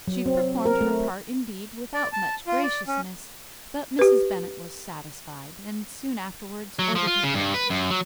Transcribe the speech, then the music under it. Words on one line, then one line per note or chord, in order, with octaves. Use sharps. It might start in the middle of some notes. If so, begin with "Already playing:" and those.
She performed her part indeed without much graciousness, but Mrs. Bennet was satisfied, and soon afterwards ordered her carriage.
F#3
C4
A#4
A3
D5
A5
F4
D5
C#4
G4 B4
F#3
F3
F4
C#3
G2
B4
F#2
F#3